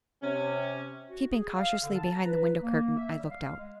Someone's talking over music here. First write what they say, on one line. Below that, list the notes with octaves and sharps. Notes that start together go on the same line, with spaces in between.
Keeping cautiously behind the window-curtain, I looked out.
C3 C#4
F#4
G#4
F5
D3
A5
A#5
B4
A#3
E5
G3
F5
G#3